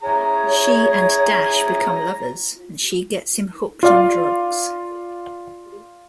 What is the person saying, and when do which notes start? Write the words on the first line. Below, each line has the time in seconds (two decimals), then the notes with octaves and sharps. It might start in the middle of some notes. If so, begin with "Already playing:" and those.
She and Dash become lovers, and she gets him hooked on drugs.
0.03 E4 G#4 C#5 A#5
3.83 F4 D5 F5